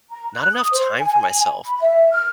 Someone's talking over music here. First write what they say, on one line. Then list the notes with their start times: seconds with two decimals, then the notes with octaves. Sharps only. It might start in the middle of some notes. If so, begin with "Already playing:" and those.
not enough time for myself.
0.10 A#5
0.34 F#6
0.53 D#6
0.72 C5
0.99 G#5
1.65 B5
1.81 E5
2.11 F6